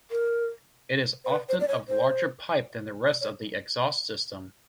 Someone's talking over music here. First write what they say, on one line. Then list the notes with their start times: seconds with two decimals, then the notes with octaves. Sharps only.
It is often of larger pipe than the rest of the exhaust system.
0.11 A#4
1.24 C5
1.29 B4
1.49 C5
1.60 D5
1.68 C#5
1.89 C5
3.07 C#5
3.21 C#5